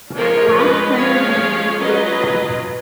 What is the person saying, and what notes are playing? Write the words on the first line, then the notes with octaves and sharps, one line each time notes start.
The last player remaining wins the episode.
F3 G#3 C#4 F4 A#4 C#5
B4 D#5
F3 G#3 C#4 F4 C#5 F5
F#3 C#4 F4 B4 D#5